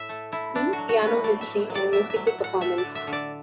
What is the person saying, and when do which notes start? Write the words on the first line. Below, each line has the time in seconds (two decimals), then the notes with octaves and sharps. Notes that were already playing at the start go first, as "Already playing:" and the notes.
"See Piano history and musical performance".
Already playing: A2 E5
0.09 A3
0.32 A3 E4
0.55 A3 D4
0.73 F#4
0.78 F#3
0.89 F#4
1.02 A3
1.07 B4
1.24 A3 D5
1.41 E5
1.47 A2
1.70 F#3
1.75 D5
1.92 A2 E5
2.10 E5
2.16 F#3
2.27 F#5
2.38 A2
2.44 F#5
2.61 A3 E5
2.78 D5
2.84 D3
2.95 E5
3.07 D3
3.13 D5